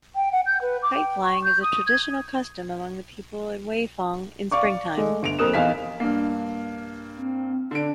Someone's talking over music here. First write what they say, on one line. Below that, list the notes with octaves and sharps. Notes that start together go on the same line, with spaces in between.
Kite flying is a traditional custom among the people in Weifang in spring time.
G5
F#5
G6
B4
D6
G5
C#6
G6
D#6
G#6
D5 F5 C#6 D6
G#3 A3
G1 D7 F7
F2 A#3 A#4 D#6 F#6 E7
E2 D#4 F5 G#5 B6
G2 A#3
C4
D3 D4 D7